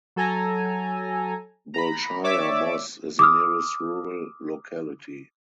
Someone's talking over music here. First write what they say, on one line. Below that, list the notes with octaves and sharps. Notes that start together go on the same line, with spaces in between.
Bolshaya Mos is the nearest rural locality.
F#3 A4 G#5 A#5
A#5 B5
C#5 D5 E5 D6 E6
D6 D#6 F6